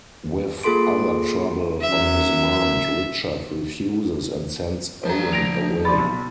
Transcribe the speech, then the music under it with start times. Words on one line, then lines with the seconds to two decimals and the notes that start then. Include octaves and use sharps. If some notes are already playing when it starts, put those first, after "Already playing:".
With other trouble on his mind, Richard refuses and sends Owen away.
0.64 A#3 F4 G#4 A4 C6 D7
1.81 F#2 E5
5.05 F3 A#5
5.32 A#6 D7 F7
5.85 D5 B5 C6 D6 A6
5.99 B1